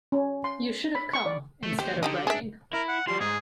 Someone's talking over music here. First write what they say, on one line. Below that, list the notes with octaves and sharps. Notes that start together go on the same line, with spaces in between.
You should have come, instead of writing.
C#4
C6
B5
C#6
D5
A3
D#2 G4 C5
D3 D#4 G4 D#5
D4 G#4 E5
E4 A#4
F#5
F3 G3 C6
G#2 G#4